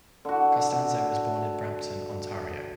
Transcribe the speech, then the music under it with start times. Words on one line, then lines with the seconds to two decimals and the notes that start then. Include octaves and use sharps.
Costanzo was born in Brampton, Ontario.
0.25 D3 F#4